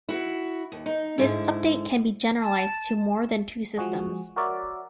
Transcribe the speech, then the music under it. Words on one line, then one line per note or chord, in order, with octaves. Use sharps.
This update can be generalized to more than two systems.
E4 F#4
D#2
D#4
G#2 D3 E4
A5
F3 G#3 F#4 G#4
F#4 A#4 C#5 D5 E5